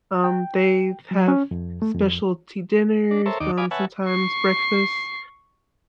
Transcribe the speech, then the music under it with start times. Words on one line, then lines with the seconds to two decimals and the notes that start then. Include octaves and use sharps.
Um, they have specialty dinners, um, sometimes breakfast
0.24 G5
1.11 F#3
1.28 C#4
1.51 F2
1.82 A3
1.95 F2
3.11 D4
3.26 A4 A#4 C5 C#5 E5
3.40 D#2 D#4 D5 D6
3.58 D5 F5 G#5 B5 D6 D#6
3.71 B4 C#5 E5 F#5 G#5 A5
4.06 C#6 C7